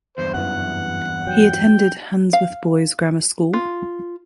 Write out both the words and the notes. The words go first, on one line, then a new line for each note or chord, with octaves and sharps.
He attended Handsworth Boys Grammar School.
E2 G2 C5
F#2 E3 F#5
F#3 G5
F5
F4